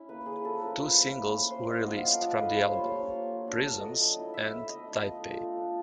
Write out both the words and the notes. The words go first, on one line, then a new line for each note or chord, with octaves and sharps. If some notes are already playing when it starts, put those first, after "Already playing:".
Two singles were released from the album, "Prisms" and "Taipei".
Already playing: C#4 E4
A#3 B4
C#4 E4 G#4
F3 A4
A3 C#4 E4 A#4
F3 B4
A3 C#4 E4
A#3
C#4 E4
A#3 C5
C#4 E4 D#5
F3 F#5
F5
A3 D4 D5
F3 D#5
A3 D4 B4
G3 C5
C#5
A#3 D4 F4 C5
C#5
G3
A#3 D4 F4
F#3
A3 D4 F4
F#3 D5
A3 D4 F4 D#5
F#3
B3 E4
F#3 E5
B3 E4 E5
A3 D#5
D4 F4
A3
D4 F4
A3
D4 F4